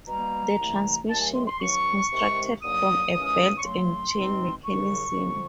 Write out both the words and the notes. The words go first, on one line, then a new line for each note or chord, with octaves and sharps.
The transmission is constructed from a belt and chain mechanism.
B2 G3 A#3 A#5
C2 C3 E3 A3
D#2 D#3 F#3 A3 A5
G#5
C6
C6
C#2 C#3 F#3 C#6
C2 C3 D#3 G#3
D#2 D3 F#3 A#3 D#6
D#2 C#3 E3 G#3 C#4
C#6
C#3 F#3 A3 C6
B2 G#3 C4 D#4
D#2 C#3 F#3 C#6
F2 D3 F3